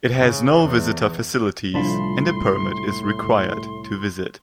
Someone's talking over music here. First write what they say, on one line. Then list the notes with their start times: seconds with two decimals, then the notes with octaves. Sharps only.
It has no visitor facilities and a permit is required to visit.
0.16 C#3
0.63 E2
1.74 C2 A2 F3 D4 F4 A5 B5 C6